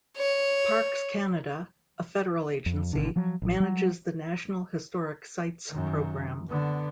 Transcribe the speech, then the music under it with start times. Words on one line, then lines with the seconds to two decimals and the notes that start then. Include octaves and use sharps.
Parks Canada, a federal agency, manages the National Historic Sites program.
0.17 C#5
2.66 F2
2.93 G#1 C#2 B2 D3
3.16 F3 F#3
3.42 A1 F#3
3.60 F#3 G3
5.70 F#2 D#3
6.49 D3 B3